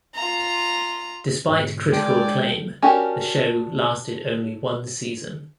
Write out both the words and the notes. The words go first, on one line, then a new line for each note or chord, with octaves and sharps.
Despite critical acclaim, the show lasted only one season.
F4 A#5
G#2 B2 D3
G#3 D4 A4 D5 G5 G#5
C#4 D4 F#4 G4 A#4